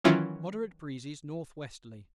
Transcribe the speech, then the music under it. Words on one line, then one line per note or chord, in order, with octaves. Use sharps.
Moderate breezes north-westerly.
D#3 E3 F#3 C#4 E4 F4